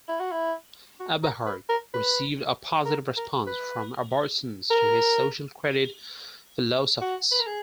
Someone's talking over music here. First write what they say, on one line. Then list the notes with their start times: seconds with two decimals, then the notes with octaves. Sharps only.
Aberhart received a positive response from Albertans to his social credit philosophies.
0.08 E4
0.20 F#4
0.32 E4
1.00 F#4
1.23 A#4
1.47 B4
1.69 A#4
1.94 B4
2.85 A#4
3.17 A#4
3.47 B4
4.71 A#4
7.01 F#4
7.32 B4
7.40 A#4
7.47 G#4